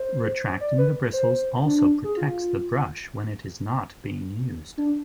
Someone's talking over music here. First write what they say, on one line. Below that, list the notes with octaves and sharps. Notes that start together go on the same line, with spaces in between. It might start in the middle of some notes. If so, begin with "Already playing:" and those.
Retracting the bristles also protects the brush when it is not being used.
Already playing: C5
D5
B4
C5
D4
D4
G#4
F4
D4